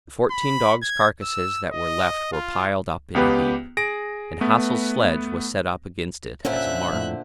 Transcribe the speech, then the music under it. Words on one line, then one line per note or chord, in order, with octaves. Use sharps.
The fourteen dogs' carcasses that were left were piled up in a heap, and Hassel's sledge was set up against it as a mark.
B5
G#6
E6
D#5
F4
C#2 B3 G4 B4
G#4 A#6 D7
A3 B3 B4
A#2 D3 C#4 C5 E5 F#6
F2 A2